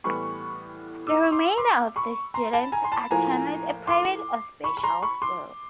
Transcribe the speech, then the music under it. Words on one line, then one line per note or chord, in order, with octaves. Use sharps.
The remainder of the students attended a private or special school.
A2 E3 G3 B3 B5 C#6
D6 E6
C#6
C6 D6
C6 D6
B5 C#6
A#5 C6
A5 B5
G#5 A#5
C6
A5 B5
A2 F3 A#3 G#5 A#5
C6 D6
B5 C#6
B5
A#5 C6
B5 C#6
C6 D6